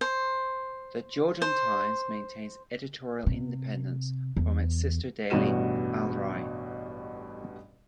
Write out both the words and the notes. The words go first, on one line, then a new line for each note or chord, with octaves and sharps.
"The Jordan Times" maintains editorial independence from its sister daily "Al Rai".
C5
C5
C3
E2
A1 G2 B2 F#4 D#7 E7